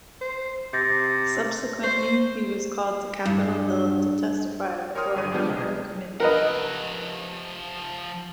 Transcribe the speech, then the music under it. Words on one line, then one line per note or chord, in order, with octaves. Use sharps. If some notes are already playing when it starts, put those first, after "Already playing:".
Subsequently, he was called to Capitol Hill to testify before a number of committees.
C5
C3 G6 A6 A#6
C5 C#6 G6
G2
A#4 C#5 G5 C6 D#6 F6
G1 G2 G#4 D#7
F3 B3 D4 G4 G#4
B1 C3 G#3 D#5
F3 A#4 B4 D#5 F#5